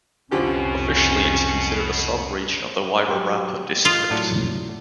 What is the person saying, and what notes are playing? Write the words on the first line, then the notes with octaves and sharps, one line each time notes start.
Officially it is considered a sub-region of the Wairarapa district.
C2 F2 B2 D3 F3 C#4 G4
F#3 G4
F4 D#5
A2 F#3 D4